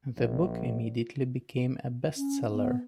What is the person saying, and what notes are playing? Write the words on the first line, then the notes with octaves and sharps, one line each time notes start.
The book immediately became a best-seller.
A#1
C#4
B3